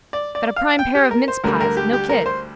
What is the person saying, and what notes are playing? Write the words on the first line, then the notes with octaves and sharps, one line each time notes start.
Got a prime pair of mincepies, no kid.
D5
D5
F5
G5
G4
A#4
C5
D2 D3 G3 A#4
A#4
G4
G4
A#4
C5